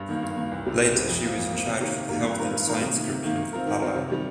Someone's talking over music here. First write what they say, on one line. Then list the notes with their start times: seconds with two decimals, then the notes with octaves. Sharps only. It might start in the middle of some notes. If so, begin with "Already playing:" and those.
Later she was in charge of the Health and Science Curriculum for Palau.
Already playing: G2
0.09 D#3 A#3
0.23 G2
0.36 D#3 A#3
0.52 C2
0.65 C3 G3 C4
0.79 C2
0.94 C3 G3 C4
1.09 F2
1.24 F3 A#3 F4
1.38 F2
1.52 F3 A#3 F4
1.65 C3
1.80 D#3 A#3 G4 A#4
1.95 C3
2.09 D#3 A#3 G4 A#4
2.23 G2
2.38 D#3 C4 F4 A#4
2.52 G2
2.67 D#3 C4 F4 A#4
2.81 C3
2.96 D#3 A#3
3.09 C3
3.24 D#3 A#3
3.38 D#3
3.53 C4 F4 A#4
3.67 D#3
3.81 C4 F4 A#4
3.96 C3
4.10 D#3 G3